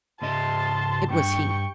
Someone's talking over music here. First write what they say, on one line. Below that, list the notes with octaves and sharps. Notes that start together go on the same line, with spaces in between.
It was he.
C#2 G#2 D#5 A5 C6
G2 G5 C#6